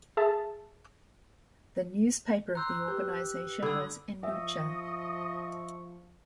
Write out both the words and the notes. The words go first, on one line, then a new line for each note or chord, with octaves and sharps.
The newspaper of the organization was "En Lucha".
G#4 E5 A5
A#5 C6 E6 F#6 G6
G4 B4 G6
D3 B5 D#6 E6 G#6
F3 D#5 E5 C#6